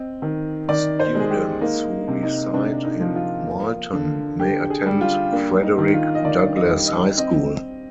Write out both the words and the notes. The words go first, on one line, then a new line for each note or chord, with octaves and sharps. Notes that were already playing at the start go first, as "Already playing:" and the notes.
Students who reside in Marlton may attend Frederick Douglass High School.
Already playing: C4 D#5
D#3
D#3 D5
C5
G#3 G#4
G4
A#3 D#4
C3
D#4
C3 D4
D#4
F3
F4
A#3
D3
D3 G4
G#4
G3
F4
A#3 D4
D#4
D#3
F4
D#5
D#3 D5
D#5
G3
D#5
C4 D#5